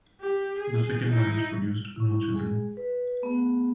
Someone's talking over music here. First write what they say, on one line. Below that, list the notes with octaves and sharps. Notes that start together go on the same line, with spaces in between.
The second marriage produced no children.
G4
G#4
D#4 E4
E4 C#6
G#3 G#4
B4
A3 B3 G#4